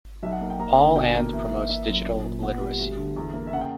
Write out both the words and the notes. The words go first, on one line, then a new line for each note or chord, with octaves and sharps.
Paul and promotes digital literacy.
B1 E5
F#5
A#3
G5
A#3 A#5
D3
B2 G5
A#3
E3
E3
A#3 E5
F#2
A#2
A#2
B3 F#5
G3
D2
D3
E2
A#3
E5
C#3 F#5
G5